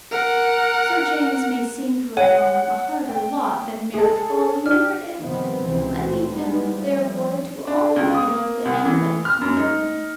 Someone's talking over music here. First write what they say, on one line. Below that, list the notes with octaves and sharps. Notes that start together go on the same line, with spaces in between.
Sir James may seem to have drawn a harder lot than mere folly merited; I leave him, therefore, to all the pity that anybody can give him.
A#4 F#5
C#5 F#5 D#7
G5
G#4 A4
D4 F6
G2 C3 D#3 F3 B3 C4
C#2 C3 E3 C4
A2 A3 C4
G3 G#3 B3
F3 G3 A3
D4
C#2
D#6
A#3
C2
E3
F6
F#2
D#4